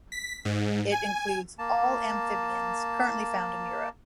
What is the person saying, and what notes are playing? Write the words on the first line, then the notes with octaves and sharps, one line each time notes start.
It includes all amphibians currently found in Europe.
B6
G#2
G#5
A#3 A5